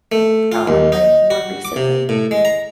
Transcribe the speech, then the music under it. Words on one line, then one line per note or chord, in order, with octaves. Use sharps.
r um, like, more recently?
A3
F4
D#2
D#4
F#4
D6
C3
A2
G#3
A#5